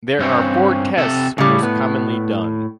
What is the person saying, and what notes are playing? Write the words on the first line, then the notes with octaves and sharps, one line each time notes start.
There are four tests most commonly done.
G2 C4 C#4
C3 A4 E5
A2 C#3 G3
B3